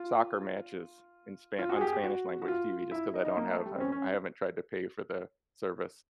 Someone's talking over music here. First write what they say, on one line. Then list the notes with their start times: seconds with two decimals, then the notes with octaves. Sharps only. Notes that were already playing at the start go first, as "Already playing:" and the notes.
soccer matches in Spa on Spanish language TV just 'cause I don't have I've I haven't tried to pay for the service,
Already playing: F4
1.59 F4
1.69 F#4
1.76 G#4
1.81 G4
1.87 G#4
1.93 G4
2.04 F#4
2.42 F#4
2.48 F4
2.91 E4
3.14 D#4
3.25 D#4
3.37 A#3
3.51 A3
3.66 G3
3.75 C4
3.80 C#4
3.92 C#4